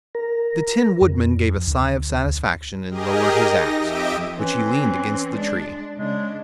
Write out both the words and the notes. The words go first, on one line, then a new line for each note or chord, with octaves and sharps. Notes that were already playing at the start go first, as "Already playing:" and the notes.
The Tin Woodman gave a sigh of satisfaction and lowered his axe, which he leaned against the tree.
A#4
F2
D2
G4 G#4 A#4 D#5
D#4 A#6
F2 G4 D#5 E5 D7
E3 C4 C#4
G#3 D4
C#3 G#3 D4